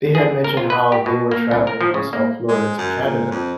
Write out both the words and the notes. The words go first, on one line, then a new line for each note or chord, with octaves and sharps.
They had mentioned how they were traveling from South Florida to Canada.
G#4
A#4
F4
B4
G4
B2
A#3
C2
A#4
F3
C#3
A#3
G#3
F#2
A#2
F2